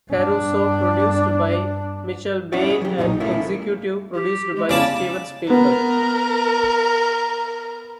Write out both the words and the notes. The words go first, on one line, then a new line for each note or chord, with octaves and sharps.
Caruso, produced by Michael Bay and executive produced by Steven Spielberg.
G2 D4
C#4 D4 E4 F#4 C#5 D5
G#4
F#3 G4
B1 A#2 F#3 D#4
A3 A#3 C#4 E4 F4
G4
G#3
C#3 E4 D5 A5
B3 A#4